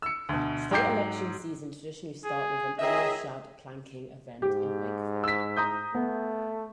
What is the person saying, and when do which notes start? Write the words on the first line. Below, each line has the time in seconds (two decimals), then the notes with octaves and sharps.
State election seasons traditionally start with the annual Shad Planking event in Wakefield.
0.02 E6 C#7
0.29 D2 B2
0.71 G#2 F#3 G5 D6 G6 C7
2.25 G#4
2.79 C#2 D#3 G#4 D#5 E5
4.42 G#2 G4
5.24 E6 B6
5.57 A#5 D#6 G6
5.95 A3 B3